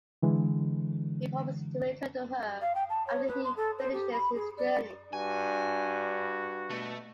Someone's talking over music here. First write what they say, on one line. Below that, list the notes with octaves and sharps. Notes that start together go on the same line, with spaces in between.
He promises to return to her after he finishes his journey.
D3 E3 G#3
F5
G5
A5
C#5
B4
C6
A4
C5
G4
B5
G#4
D5
G2 D4 F#4 G#5
B2 A3